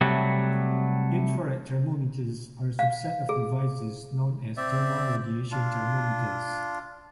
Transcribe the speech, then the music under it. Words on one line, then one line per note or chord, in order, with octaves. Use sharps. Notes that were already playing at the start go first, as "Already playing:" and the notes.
Infrared thermometers are a subset of devices known as "thermal radiation thermometers".
C3 F#3 G3 A3
F5
G#4
C4 D5 E5
D4 F4